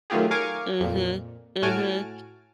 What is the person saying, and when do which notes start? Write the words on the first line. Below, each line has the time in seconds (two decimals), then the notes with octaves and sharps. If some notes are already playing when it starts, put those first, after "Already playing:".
Mhm. Mhm.
0.10 D#3 F#3 A3 F4 G4 G#4
0.31 A#4 F5 G#5 C#6 D6 G#6
0.80 F2 A#2
1.62 A2 F#4 G#5 A5 F6 D7